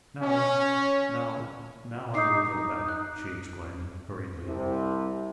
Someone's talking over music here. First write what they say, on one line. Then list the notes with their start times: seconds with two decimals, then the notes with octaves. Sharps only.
"Now--now--now I will go back," she exclaimed, hurriedly.
0.21 C#4
2.14 D#4 D6 C7
2.44 D#4
2.89 F#6
4.46 C2 C3